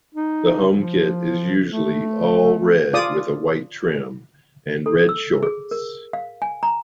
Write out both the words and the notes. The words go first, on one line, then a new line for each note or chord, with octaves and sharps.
The home kit is usually all red with a white trim, and red shorts.
D#4
F3
A3
F4 D5 D#6
A4
E6
G#4
A#4
F5
G#5
A#5